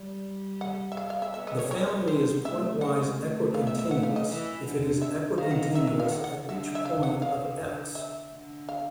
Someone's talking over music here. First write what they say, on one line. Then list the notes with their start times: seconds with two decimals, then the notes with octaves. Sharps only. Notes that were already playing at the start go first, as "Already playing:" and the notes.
The family is pointwise equicontinuous if it is equicontinuous at each point of "X".
Already playing: G3 D5
0.61 F#5
0.92 E5
0.97 F5
1.10 F5
1.22 E5
1.34 B3 E5
1.47 D#5
1.59 C#5
1.71 B3 C#5
2.08 C5
2.45 A3 E5
2.81 G#3 F#5
3.18 A3
3.54 F5
3.67 E5
3.79 E5
3.91 A3 F#5
4.03 F5
4.16 D#5
4.29 E3
4.65 D3
5.02 E5
5.38 D#3 F5
5.51 F#5
5.63 F5
5.75 D#3 E5
5.87 B4
6.00 F5
6.12 F#5
6.24 F#5
6.48 D3 E5
6.75 E5
6.85 C#3 F5
7.03 F#5
7.22 D3 F5
7.95 E5
8.32 D3
8.69 F5